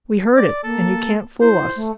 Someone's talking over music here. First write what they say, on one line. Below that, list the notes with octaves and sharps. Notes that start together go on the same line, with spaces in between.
"We heard it, and you can't fool us!"
D5
A#3 A4
E4 C5
A3